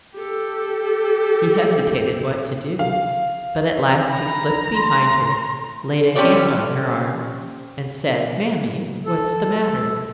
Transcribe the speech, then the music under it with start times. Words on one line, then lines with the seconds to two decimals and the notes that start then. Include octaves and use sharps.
He hesitated what to do, but at last he slipped behind her, laid a hand on her arm, and said: 'Mammy, what's the matter?
0.16 G4 A4
2.79 F5
4.09 A#5 B5
4.75 C6
6.15 C4 C#4 G4 A4 C#5 D5
9.06 A4